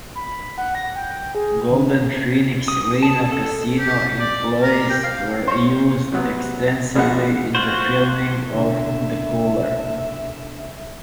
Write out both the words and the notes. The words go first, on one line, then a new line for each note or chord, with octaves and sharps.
Golden Phoenix Reno casino employees were used extensively in the filming of "The Cooler".
B5
F#5
A#6
G5
G#4
D3
D#6
A5
A4
G4
D5
A#4
G5
F5
C5 C#5
C3 F#3 B3
A#1 A#2 G#3 B3 F#5
F4 F#4 C5
C2 B2 D3 E5